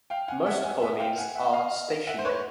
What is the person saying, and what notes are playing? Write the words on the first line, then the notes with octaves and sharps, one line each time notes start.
Most colonies are stationary.
F5 G5
F#5 G#5
E5 F#5
F#5 G#5
E5 F#5
F5 G5
F#5 G#5
E5 F#5
D#5 F5
E5 F#5
C5
B4 C#5